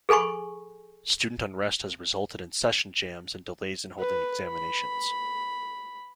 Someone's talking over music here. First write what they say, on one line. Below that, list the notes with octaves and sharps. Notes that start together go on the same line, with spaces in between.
Student unrest has resulted in session jams and delays in holding examinations.
G#4 A4 G#5 B5 C#6
B4
B5